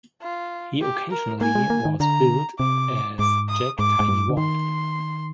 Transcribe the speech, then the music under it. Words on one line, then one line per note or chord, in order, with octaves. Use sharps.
He occasionally was billed as Jack "Tiny" Ward.
F4
G4
A#4
A#3 G#5
G#3
A#3
D#3
D3 A#5
C3 D6
G#2 D6
D#6
G#2 D6
G#2
G2
D3
D#3 C6